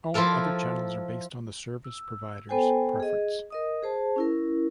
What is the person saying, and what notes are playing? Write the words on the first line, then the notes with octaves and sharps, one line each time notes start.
All other channels are based on the service providers preference.
F3 E4 F4 A4 A#4
E6
B3 A4 C5 G5 G#5
G#4 D#5
A#4 D#5 D#6
G#4 C5 A5
C#4 E4 A#4